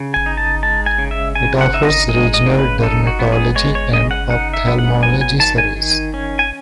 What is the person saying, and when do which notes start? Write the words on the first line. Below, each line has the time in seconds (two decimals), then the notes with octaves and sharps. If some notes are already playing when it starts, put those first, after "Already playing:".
It offers regional dermatology and ophthalmology service.
Already playing: C#3
0.14 G#5
0.26 D#4
0.37 A5
0.63 G#3 A5
0.86 G#5
0.98 C#3
1.11 E5
1.35 C#3 G#5
1.61 F#5
1.73 D#4 E5
1.85 D#5
2.09 G#3 D#5
2.34 D#5
2.46 C#3
2.59 B4
2.83 D#4 A4
3.07 F#4
3.19 B3
3.32 G#4
3.56 G#3 C#5
3.75 C#5
3.93 C#3 D#5
4.11 F#5
4.30 D#4 F#5
4.54 E5
4.67 B3
4.79 F#5
5.03 F#3 G#5
5.21 G#5
5.39 D#3 A5
5.58 G#5
5.76 D#3
6.14 C#4
6.39 G#5